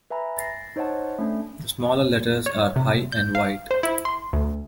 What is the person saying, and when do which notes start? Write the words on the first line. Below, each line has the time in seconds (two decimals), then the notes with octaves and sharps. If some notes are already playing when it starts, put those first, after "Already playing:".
The smaller letters are high and wide.
0.10 B4 E5 G#5 A#5 B5
0.38 A6 A#6 C7
0.76 D#4 C5 C#5 D#5 F#5 A5
1.19 A3 C#4 D4
2.46 C#5
2.76 C3
3.12 G6
3.35 F5
3.71 C5
3.83 E4
4.05 C6
4.33 D2